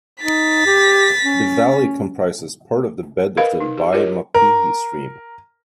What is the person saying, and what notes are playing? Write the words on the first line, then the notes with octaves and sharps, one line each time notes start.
The Valley comprises part of the bed of the Wai-Mapihi Stream.
D#4 A6 B6
G4
C#4
A#4 B4 D#5 F5 B5
D#4
G4
F4 G4 A#4 C#5 D#5
A#4